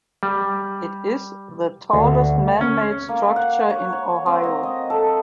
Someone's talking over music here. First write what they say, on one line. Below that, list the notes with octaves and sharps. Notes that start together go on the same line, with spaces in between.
It is the tallest man-made structure in Ohio.
G3
D2
C#4
A#3
F#5
C#5
C#5
C4
D#5
D#5
A4